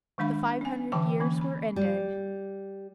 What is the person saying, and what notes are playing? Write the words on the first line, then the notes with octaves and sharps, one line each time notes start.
The five hundred years were ended.
D#3 F#3 G#3 D4 F5 B5
C#4 G#5
D3 E3 F#3 G5 A5 D6
E3 A#3 C#4
B5
G3